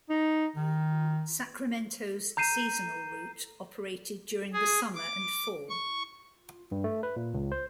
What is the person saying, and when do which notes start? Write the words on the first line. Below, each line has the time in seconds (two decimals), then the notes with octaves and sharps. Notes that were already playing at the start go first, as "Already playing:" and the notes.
Sacramento's seasonal route operated during the summer and fall.
0.10 D#4
0.56 D#3
2.37 A#5 G6 C7 D#7 E7
4.53 G#4
4.95 D6
5.69 C#6
6.72 G2
6.84 A3
7.03 B4
7.16 A#2
7.34 C#2
7.52 C5